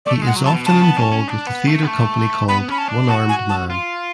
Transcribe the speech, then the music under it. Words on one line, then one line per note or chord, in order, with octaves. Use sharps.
He is often involved with the theater company called One Armed Man.
A3 D5
G#3
F#5
F#3
A5
B2
C#3 A5
B3
C#4
C#4
D4
B3
A3
B3
A3
B3 B5
C#4 B5
A5
D4
F#4 A5
G#5
A5
F4